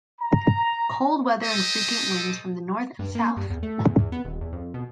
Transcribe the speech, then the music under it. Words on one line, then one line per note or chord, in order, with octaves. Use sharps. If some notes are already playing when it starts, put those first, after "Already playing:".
Cold weather and frequent winds from the north and south.
A#5
G4 A4 C5 D#5
G2
A#3
G2
E2
A3
E2
E2
B3
D#1
E2
F2
B2